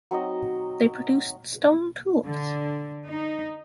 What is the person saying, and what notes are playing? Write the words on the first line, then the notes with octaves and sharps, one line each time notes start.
They produced stone tools.
F#3 C4 D#4 D#5
D3
D#4